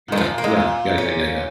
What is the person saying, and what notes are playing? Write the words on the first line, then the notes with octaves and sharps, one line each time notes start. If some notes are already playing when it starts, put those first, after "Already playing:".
yeah, yeah, yeah, yeah, yeah, yeah.
A#2 D#3
F3
A#2
A#3
A#2 G#3
C#4